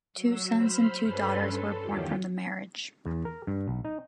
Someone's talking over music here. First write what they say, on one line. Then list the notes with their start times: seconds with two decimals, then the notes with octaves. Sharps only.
Two sons and two daughters were born from the marriage.
0.14 F#3 E6
0.55 C5 B5 F6
1.02 G2 C#4 A4 B4 B5 C6
1.51 A4
1.81 E2 D#3 F#3 F4 G4
3.06 E2
3.25 A#4
3.47 G2
3.68 B1
3.85 D#4